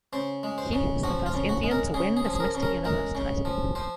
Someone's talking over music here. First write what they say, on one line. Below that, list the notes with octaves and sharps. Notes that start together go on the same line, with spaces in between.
He is the first Indian to win this Mister Universe title.
C#3 C5
G#3
C5
C#3
F3 F#4
F4
C#3
F#4
G#3
A#4
C#3 G#4
G#4
F3
G#4
A#4
C#3
A#4
G#3 A#4
C#3
F3
F3 C5